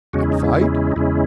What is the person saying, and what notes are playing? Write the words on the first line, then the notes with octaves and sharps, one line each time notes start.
"And fight?"
E2 C#3 G#3 C#4 F#4
E4
D#4
E4
D#4
E2 C#3 G#3 C#4 E4